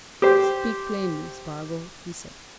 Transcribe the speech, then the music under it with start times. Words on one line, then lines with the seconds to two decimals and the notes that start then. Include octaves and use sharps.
"Speak plainly, Spargo!" he said.
0.22 G4 C5